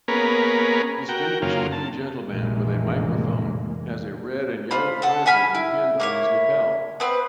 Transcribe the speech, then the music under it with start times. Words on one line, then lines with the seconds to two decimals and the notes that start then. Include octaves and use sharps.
Distinguished looking gentleman with a microphone has a red and yellow prize ribbon pinned on his lapel.
0.08 A#3 B3 C#4 G#4 A#4 B4
1.09 F#4 A#4 G5
1.42 F#2 C#3 A#3 F4
1.72 A5
2.25 F1 A#1 A#2 E3 G#3 A#3
4.71 F4 C5 B5
5.02 A4 F#5
5.26 F#5 G#5 B5 F6
5.55 E4
6.00 A#3 E4 C#5
7.00 B3 C4 B4